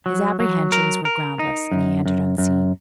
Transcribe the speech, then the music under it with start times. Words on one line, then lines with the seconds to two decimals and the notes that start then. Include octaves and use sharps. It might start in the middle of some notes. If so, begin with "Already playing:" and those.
His apprehensions were groundless, and he entered unseen.
0.06 F#3
0.40 F#3
0.72 A#4
1.05 A#4
1.39 D#4
1.71 F#2
2.06 F#2
2.38 F#2